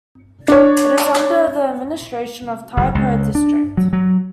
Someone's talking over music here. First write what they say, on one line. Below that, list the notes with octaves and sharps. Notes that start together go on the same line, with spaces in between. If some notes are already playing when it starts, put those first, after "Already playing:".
It is under the administration of Tai Po District.
D4 C#5
F#1
C#2
D4
F#3
F#3